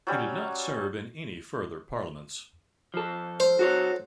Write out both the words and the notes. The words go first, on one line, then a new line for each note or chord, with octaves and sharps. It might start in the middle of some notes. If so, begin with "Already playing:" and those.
He did not serve in any further Parliaments.
F#3 G3 C#4
F3 A4
C5
F#4 A4 C#5